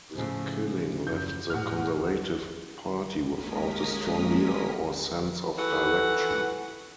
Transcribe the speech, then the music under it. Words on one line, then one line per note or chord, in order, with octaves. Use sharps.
The killing left the Conservative Party without a strong leader or sense of direction.
A2 C#3 F3 A3
F#2 G6
A2 F#5 F6
G#3 A#3 C#4 A#4 D#6 B6
E3 F#4 A4 B4 F#5